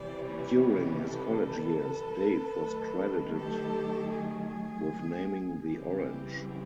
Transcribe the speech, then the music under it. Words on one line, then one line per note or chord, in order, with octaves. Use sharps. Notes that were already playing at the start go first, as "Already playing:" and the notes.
During his college years, Dave was credited with naming the "orange".
Already playing: C3 E3 G3 C5 D5
B4 C#5
A4 B4
D#3 F#3 A3
G4 A4
G#4
C#3 E3 G3 C4 G4